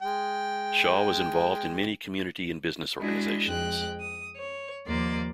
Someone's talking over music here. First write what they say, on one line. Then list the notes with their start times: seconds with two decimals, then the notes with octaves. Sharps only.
Shaw was involved in many community and business organizations.
0.02 G#3 G5
3.00 G#3 D4 E4 F#4 G#4 D#5
3.44 F2 G#3 G5 F#6
3.99 D#6
4.36 C#5
4.86 D#2 F3 A#3 D5 C6